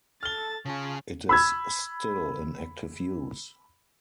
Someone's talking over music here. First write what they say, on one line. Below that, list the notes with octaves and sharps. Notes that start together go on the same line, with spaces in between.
It is still in active use.
A4 F6 A6 G7
C#3 C#4 F4 G#4 A5
B5 E6 G#6